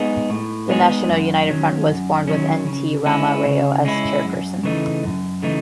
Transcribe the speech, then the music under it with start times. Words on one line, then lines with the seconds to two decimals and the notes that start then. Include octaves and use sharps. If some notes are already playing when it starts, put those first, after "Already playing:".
The national united front was formed with N. T. Rama Rao as chairperson.
Already playing: G#3 B3 D#4 G#4
0.30 A2
0.69 G#3 B3 D#4 G#4
1.09 F#2
1.49 D#3 F#3 C#4
1.88 F#2
2.28 D#3 F#3 C#4
2.67 C#3
3.06 G#3 C#4 E4
3.46 C#3
3.85 G#3 C#4 E4
4.24 F#2
4.63 C#3 E3 A3 D#4
5.03 F#2
5.43 C#3 E3 A3 D#4